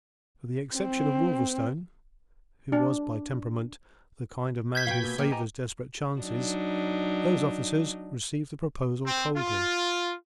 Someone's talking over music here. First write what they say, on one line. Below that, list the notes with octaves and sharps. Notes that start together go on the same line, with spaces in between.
With the exception of Wolverstone, who was by temperament the kind of man who favours desperate chances, those officers received the proposal coldly.
C4
D4
G6 G#6 B6
B2 B3 F5 G5
A#2
A#2 A#3 D#4 G4
D#5 G#5 A#5
F#3 D4 D#4
C4
F4